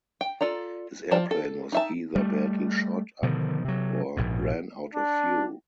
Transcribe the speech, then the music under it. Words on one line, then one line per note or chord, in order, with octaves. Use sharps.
His airplane was either badly shot up or ran out of fuel.
G5
F4 A4 D5 A#5
F3 C5 D5 A5
A4
D#4 E5 A5
G3 A3
B2 D3 D#3 F3
C3 F#3
A#1 G#2 B2
D4